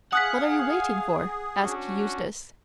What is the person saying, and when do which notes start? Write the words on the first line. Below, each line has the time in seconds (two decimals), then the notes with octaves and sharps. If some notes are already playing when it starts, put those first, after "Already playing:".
"What are you waiting for?" asked Eustace.
0.13 G#4 F5 F#5 G#5 D#6 F#6 B6
1.61 C#4 D4 F#4